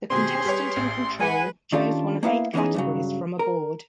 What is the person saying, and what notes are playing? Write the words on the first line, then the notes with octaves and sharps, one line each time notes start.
The contestant in control chose one of eight categories from a board.
B2 D#3 C4 G4 G#4 C6
G3 B4 C#5
A1
G#3 B4 F#5 G#5
D#3 C#4 D4 F4 G4 A4
A#3 B3 E4 F5
E3 B3 C#4 D#4 G#4
G2 C#3 F#3
A#4